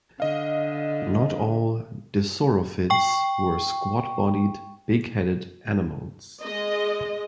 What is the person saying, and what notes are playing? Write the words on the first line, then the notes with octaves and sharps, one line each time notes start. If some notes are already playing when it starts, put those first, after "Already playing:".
Not all Dissorophids were squat-bodied big headed animals.
D3 D#5 F5
G5 C#6
G#3 D#5